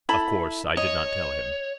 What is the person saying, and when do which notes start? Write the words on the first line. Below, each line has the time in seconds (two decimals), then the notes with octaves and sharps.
Of course I did not tell him.
0.09 E4 A4 B5
0.77 C#5 D#5